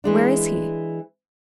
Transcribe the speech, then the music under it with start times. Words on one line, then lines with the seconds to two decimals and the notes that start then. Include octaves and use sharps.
"Where is he?"
0.04 E3 G#3 D4